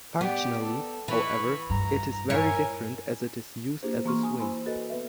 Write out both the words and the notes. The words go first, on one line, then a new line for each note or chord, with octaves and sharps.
Functionally, however, it is very different as it is used as a swing.
B3 G4 D5
A4
E3 B5 C#6
G2 A#5
E4 A#4 C#5 G#5
A#3 D4 E4 G4 G#4 C5
E3 A#3 F#4 C6 C#6 F6
G#5 A#5 D#6
E4 C5 G#5 B5 C6
F#4 A4 B4 D#5
B3 B4 E5